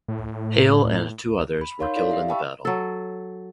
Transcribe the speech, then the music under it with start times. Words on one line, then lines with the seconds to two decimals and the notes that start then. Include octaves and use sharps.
Hale and two others were killed in the battle.
0.08 A2
1.61 B5
1.79 D#4 A#4 C#5 F5 C6 G6
1.96 E4 A4 D5 F5
2.10 G4 E5 F5
2.29 F5 G5 A5 B5 C#6 E6
2.65 F#3 A4